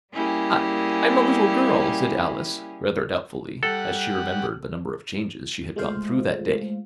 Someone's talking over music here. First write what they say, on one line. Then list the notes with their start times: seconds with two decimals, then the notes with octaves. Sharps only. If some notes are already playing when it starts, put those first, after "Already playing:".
'I--I'm a little girl,' said Alice, rather doubtfully, as she remembered the number of changes she had gone through that day.
0.14 G3 A#3 C#4 E4 G4 G#4
3.63 G3 A4 F#5
5.76 G#3 A3 F4 C5 F5